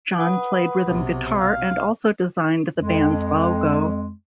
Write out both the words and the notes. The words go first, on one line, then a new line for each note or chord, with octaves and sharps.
Jon played rhythm guitar and also designed the band's logo.
B4 F#5 D#6
B1 C3
F5
F2 G#3